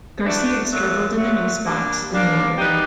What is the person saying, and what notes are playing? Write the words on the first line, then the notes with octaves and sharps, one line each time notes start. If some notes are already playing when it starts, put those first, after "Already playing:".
Garcia struggled in the new spot in the order.
E3 A3 D4 F#4
A#2 F#3 A3
A#2 F#3 A3
G3 A#3 D4
G3 A#3 D4
G3 B3 D#4 G4